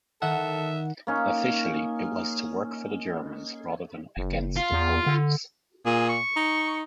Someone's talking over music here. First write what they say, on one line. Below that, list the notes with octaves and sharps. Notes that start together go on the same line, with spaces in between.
Officially it was to work for the Germans rather than against the Poles.
D#3 A4 E5 F#5
A#3 C#4 D#4
F#1
F4
E2
D3
A#2 G#4
C#6
D#4